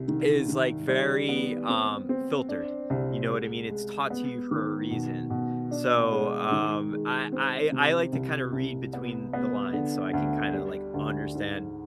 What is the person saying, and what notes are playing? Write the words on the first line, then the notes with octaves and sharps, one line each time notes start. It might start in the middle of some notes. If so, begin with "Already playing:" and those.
is, like, very, um, filtered, you know what I mean? It's taught to you for a reason, so, um, I I I like to kinda read between the lines so I can kinda, like, understand
Already playing: C2
D#3
D#3
G3
B3
C4
C4
D4
C2
G#3
G#3
B3
D#3
B2
B2
D4
G#3
D#3
G#3
C4
C3
C2
C2
B3
B3
D3
D2
G3
D2
G#2